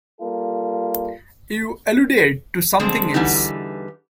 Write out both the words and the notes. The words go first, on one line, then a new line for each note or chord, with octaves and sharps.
You alluded to something else.
G3 A#3 F4 A4
A#2 D3 G#3 C4
E2 G2 D3 E3 G3 D#4